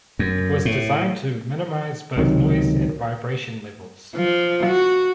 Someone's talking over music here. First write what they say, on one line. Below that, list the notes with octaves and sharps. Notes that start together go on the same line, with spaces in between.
It was designed to minimise both noise and vibration levels.
F#2
A2
C#2 C3 D#3 F#3
F3
F#4